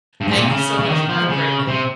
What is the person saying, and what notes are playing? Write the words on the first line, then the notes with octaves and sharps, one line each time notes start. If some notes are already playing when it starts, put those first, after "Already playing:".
Thank you so much. You have a great day.
G2
G#2
A#2
C3
C#3
C#3
D#3
F3
C#3
C3